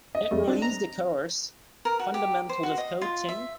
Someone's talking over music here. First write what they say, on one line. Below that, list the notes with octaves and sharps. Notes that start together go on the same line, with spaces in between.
It released a course, Fundamentals of Coaching.
D#5
F2 G3 A3
C4 D4
A#5
A#4
F#4
G4
C5
F#4
D#5
F4
E5